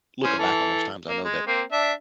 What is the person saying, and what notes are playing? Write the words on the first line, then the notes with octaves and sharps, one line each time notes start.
looking back on those times, I know that,
E3 C#4 C5
E3 A4
A#3
G#3
A#3 C4
D4 E5